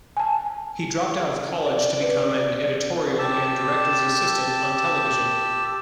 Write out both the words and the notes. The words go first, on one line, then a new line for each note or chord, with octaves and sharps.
He dropped out of college to become an editorial and director's assistant on television.
G#5 A5
D5
B4
G4 A5 E6